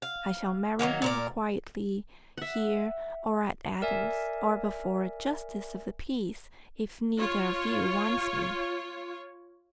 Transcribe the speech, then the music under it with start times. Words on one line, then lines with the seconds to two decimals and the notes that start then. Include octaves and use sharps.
I shall marry him quietly, here, or at Adam's, or before a Justice of the Peace, if neither of you wants me.
0.02 F5
0.79 D#3 E3 F#3 A#3
1.02 A#2 A#4 D5
2.38 E5 F#5
3.82 A#4 D5 E5 G#5
7.18 F4 C#5